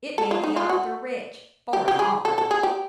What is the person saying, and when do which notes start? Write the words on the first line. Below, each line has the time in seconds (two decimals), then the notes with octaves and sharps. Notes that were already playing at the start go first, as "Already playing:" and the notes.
It made the author rich--for an author.
0.18 A4
0.31 F4
0.44 D#4
0.56 F4
0.69 F#4
1.73 G4
1.88 G4
1.99 G#4
2.25 A4
2.38 A4
2.51 G#4
2.63 G4